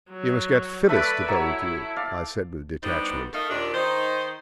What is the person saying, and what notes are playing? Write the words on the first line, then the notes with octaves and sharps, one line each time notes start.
"You must get Phyllis to bowl to you," I said with detachment.
F#3
A3 B4 D5 E5 B5
F#3 E4 C#5
D5 F5
G3 B3 C4 D4 D#4
A3 D#4 A#4 E5 F5
D#2 A#2 D4
D#3 D#4 C5